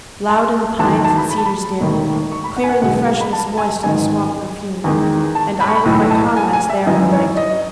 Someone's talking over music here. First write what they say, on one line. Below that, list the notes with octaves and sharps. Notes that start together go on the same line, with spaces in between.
Loud in the pines and cedars dim, Clear in the freshness moist and the swamp-perfume, And I with my comrades there in the night.
A5
E2 D#3 F#3 A3 A5
A5
A5
B5
B5
A5
B5
E1 D#2 D#3 A3
C#6
B5
F#5
G#5
F#5
B1 B2 G#3 F#5
B5
A5
G#5
A1 G#2 D#3 G#5
E2 D#3 G#3
A5
B5
C#6
B5
B1 A2 E3 A3
A5
G#5
G#5
E5
G#1 F#2 E3 D#5
C#5
D#5